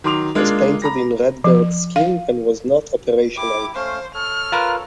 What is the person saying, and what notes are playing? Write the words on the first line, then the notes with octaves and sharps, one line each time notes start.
It was painted in redbird scheme and was not operational.
D#3 F#3 C6 D6 F7
G#3 A#3 D4 F4 A#4
A#5 B5 A#6
F3
F5
E4 G4 D6
A3 C#4 C5 F5
A4 C#5 F6
F4 A#4 B4